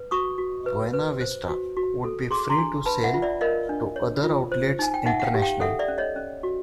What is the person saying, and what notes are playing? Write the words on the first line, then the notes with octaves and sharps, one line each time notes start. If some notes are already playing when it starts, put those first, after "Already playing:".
Buena Vista would be free to sell to other outlets international.
Already playing: B4
F#4 C#6 D#6
F#4
B4
B4
C5
F#4
F#4
A4
G#4 C6 D6
A#5 C6
D4
B4 A5 B5
E5 F#5
F4
D5 E5
A#4 D#5 F5
D4
C#5
F4
C5
D#4 G#5
G5
D#4 E5 F#5
F#5
F5 G5
G4
F5 G5
A4 E5 F#5
D5 E5
C#4
C#5 D#5
C#4
F#4